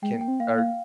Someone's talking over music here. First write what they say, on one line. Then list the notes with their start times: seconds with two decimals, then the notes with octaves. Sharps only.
can, uh,
0.02 G#3 G5
0.14 A#3
0.21 G5
0.28 C4
0.40 A#3 F5
0.58 F5